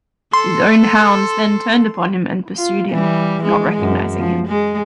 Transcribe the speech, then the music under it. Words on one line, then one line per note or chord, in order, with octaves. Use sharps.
His own hounds then turned upon him and pursued him, not recognizing him.
A4 C6
F4
E3 G3
G#3
F#2
F3
G#3